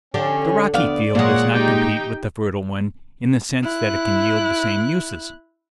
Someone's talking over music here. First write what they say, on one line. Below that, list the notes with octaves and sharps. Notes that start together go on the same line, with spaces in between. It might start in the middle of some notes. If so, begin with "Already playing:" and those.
The rocky field does not compete with the fertile one in the sense that it can yield the same uses.
D3 C#4 D4 G4
D2 B3 D5 F5
A#2 G#3 A#3 A#4 C#5 F#5
D#4 G4 G5
E4 F#6